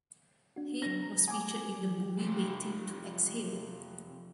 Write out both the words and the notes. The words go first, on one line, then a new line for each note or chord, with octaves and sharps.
"Head" was featured in the movie "Waiting to Exhale".
D4 F#4
F#3 D4 A#6
A#5
G#5 D6 D#6
F2 C3